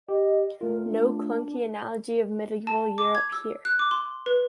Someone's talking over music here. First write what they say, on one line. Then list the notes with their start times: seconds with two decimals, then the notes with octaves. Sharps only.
No clunky analogy of medieval Europe here.
0.09 G4 D#5
0.61 A3 F4 A#4
0.87 D4
2.67 A5
2.98 D6
3.15 G#6
3.32 E6
3.65 F#6
3.79 D6
3.91 C6
4.26 B4